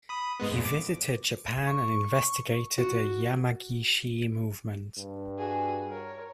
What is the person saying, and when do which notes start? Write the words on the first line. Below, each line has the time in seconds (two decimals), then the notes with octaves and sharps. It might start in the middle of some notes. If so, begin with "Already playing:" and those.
He visited Japan and investigated the Yamagishi movement.
0.09 B5 D#6
0.40 G#2 G#3 B3
0.51 F2 A#2
0.65 D6
1.67 C#6
2.78 F#4
4.98 G2
5.38 F#4 G#4
5.90 A#4 C#5